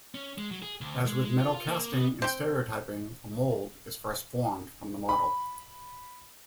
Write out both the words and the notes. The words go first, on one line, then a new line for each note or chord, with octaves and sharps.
As with metal casting and stereotyping, a mold is first formed from the model.
C#4
G#3
F#3
G#4
D2
G#3
G#3
F4
F4
A#3
B3
C4 G5
B5